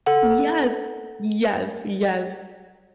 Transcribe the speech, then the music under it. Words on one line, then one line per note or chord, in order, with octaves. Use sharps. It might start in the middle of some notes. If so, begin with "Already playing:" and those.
Yes, yes, yes.
A4 F#5